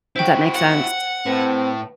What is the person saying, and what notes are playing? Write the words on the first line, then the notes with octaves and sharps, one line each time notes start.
Does that make sense?
E4 F#4 C5 G5
F#5
A2 C4 B4